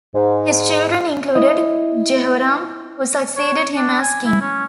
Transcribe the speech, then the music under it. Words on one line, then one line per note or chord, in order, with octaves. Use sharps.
His children included Jehoram, who succeeded him as king.
G#2
E4 D#5
C#5
D4
G#5
E4
C#4